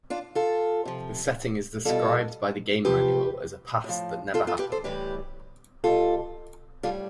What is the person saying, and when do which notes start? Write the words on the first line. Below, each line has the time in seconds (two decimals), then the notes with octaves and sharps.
The setting is described by the game manual as a "past that never happened".
0.10 D4 F4
0.35 F4 A4
0.85 C3 F3
1.85 B2 G3 F4 A4
2.85 C3 F3 G4 B4
3.84 A2 F3
4.34 F4 A4
4.47 F4 A4
4.59 G4 B4
4.72 A4 C5
4.84 A2 E3 G3 G4 B4
5.84 B2 G3 F4 A4
6.83 A2 G3 F4 A4